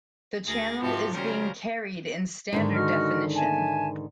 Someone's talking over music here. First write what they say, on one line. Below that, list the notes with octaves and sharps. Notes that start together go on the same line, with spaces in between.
The channel is being carried in standard definition.
D2 G#4 A#4 A6 A#6
G#2 C3 F3 F#4 G4 A5
C#3 F#3 G3 C#4 A#4 C5
G#2 D3 D#3
F#4 D#5 F6
E5 G#5 A5